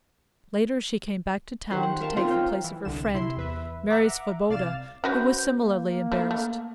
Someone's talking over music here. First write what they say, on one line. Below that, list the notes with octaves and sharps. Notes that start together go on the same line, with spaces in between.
Later she came back to town to take the place of her friend, Mary Svoboda, who was similarly embarrassed.
D#3 G4 C5
F#5
A#4 E5 F5 A5
C4 D#4 F4 A#4
C#5 G5
E3
C2 D3 E7
C3 E4 C6 C7
E2 B4 E5
E5 F#5 A#5 D6
C2 D5 F5 F6 A6 E7
C#4 F#4 B4 C5
A#3
A#3
A3 E4
A3